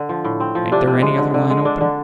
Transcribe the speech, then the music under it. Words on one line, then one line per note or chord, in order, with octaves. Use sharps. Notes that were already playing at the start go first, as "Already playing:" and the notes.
Ain't there any other line open?'
Already playing: D3
F3
A2
C4
F3
C3 D4
C3
G#3
D3
D3
G#3
D3 D4
D3